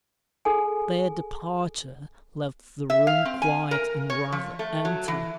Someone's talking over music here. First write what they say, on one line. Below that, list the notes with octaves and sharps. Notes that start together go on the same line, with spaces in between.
Their departure left the room quiet and rather empty.
G#4 A4 G#5
E5
F5
C4
G#5
A#4
C#5
F3
A3
F#3
E3